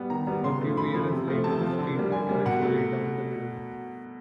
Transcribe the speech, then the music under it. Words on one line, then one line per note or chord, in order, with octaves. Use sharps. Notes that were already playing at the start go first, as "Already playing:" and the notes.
A few years later streetcar tracks were laid down the middle.
Already playing: G3 B3
D#3 A#5
G3 B3
C#3 C6
F3 A3
C#3 B5
F3 A3
C3
F3 A3
C3 A5
F3 A3
D3
G3 A#3
D3 G#5
G3 A#3
B2 F#5
F#3 A3